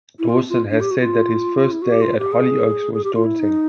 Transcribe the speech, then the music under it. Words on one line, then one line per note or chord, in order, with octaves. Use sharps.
Dawson has said that his first day at "Hollyoaks" was "daunting".
E4
F4
F4
D4
G4
F#4
F4
E4
F#4
G4
F4
G4
G#4
G#4
G4
F4
E4
D#4